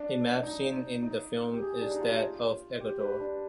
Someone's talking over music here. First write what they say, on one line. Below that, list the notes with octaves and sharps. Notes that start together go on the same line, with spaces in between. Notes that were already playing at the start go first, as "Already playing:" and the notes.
A map seen in the film is that of Ecuador.
Already playing: D4
D#4
D#4
G4
G#4
D4
D#4
F4
G4
B4
D4